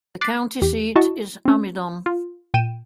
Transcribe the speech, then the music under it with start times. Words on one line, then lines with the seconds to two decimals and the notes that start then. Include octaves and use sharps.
The county seat is Amidon.
0.21 D6 F#6 A6 B6 C7
0.62 E2 G4
0.96 E4 F#4 D#5 A5 C#6
1.45 C4 C#4
2.06 F4
2.54 A#2 G5 D#7 E7